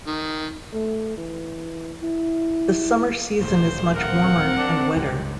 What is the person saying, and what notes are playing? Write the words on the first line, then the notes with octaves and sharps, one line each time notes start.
The summer season is much warmer and wetter.
D#3
A3
E3
E4
D#1 D2 A2 C5
C4 A#4 F5 F#5
D4
C#2 G2 G4